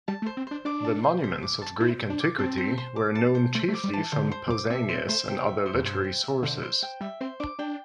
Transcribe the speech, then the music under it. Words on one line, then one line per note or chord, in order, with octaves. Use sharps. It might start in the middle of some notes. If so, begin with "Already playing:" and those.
The monuments of Greek antiquity were known chiefly from Pausanias and other literary sources.
G3 A5
A3
C5
C4
D4 C5
D4 D6
A5
C5
C5
D6
A5
E4 C5
C5
D4
D6
C4 A5
C5
C5
D6
A5
C5
A3 C5
A3
D6
G3
E3 A5
D3 C5
C5
D6
C4 E5
C4 C5
A3 C5
C3 G5
E5
C5
E2
G2 C5
G5
E5
D3 C5
C5
G5
G3 E5
C4 C5
D4 D6
D4 G5